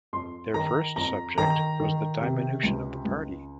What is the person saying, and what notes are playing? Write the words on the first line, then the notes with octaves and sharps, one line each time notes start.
Their first subject was the diminution of the party.
F2 C6
D#3 A#5
F2 A#5
D#3 A#5
D#3
C3
C#2
C#2